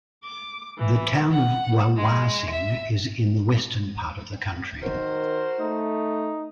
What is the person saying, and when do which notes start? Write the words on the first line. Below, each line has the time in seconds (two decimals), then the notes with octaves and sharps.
The Town of Wawarsing is in the western part of the county.
0.23 D6
0.78 E3
1.31 F#5
1.96 G#3
2.50 E5
4.82 D#3 F#4 A#4 C5
5.60 A3 D#4